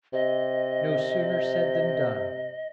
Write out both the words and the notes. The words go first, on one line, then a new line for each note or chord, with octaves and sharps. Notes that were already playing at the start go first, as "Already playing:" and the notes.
No sooner said than done.
C3 D#5